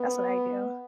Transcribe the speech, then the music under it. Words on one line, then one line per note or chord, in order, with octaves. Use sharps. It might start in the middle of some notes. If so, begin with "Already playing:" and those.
that's what I do.
Already playing: B3